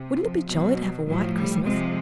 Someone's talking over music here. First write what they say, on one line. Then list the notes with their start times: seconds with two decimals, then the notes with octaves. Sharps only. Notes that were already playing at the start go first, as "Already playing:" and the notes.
Wouldn't it be jolly to have a white Christmas?
Already playing: C3
0.18 F3
0.47 B2 F#3
1.06 A2 F3 F#3
1.35 G3
1.65 C3 F3 G#3